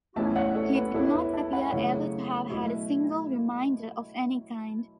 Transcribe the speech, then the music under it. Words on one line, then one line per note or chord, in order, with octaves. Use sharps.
He did not appear ever to have had a single reminder of any kind.
B1 A2 E3 C#4 E4 E5 A5
C#5 F#5
E5
A4 C#5
B4
E2 E3 B3 E4 A4 C#5
C#5
B4 E5
E5 A5
F#5 B5
F#2 C#3 E3 A3 E4 C#5 F#5
B2 F#3 A3 E4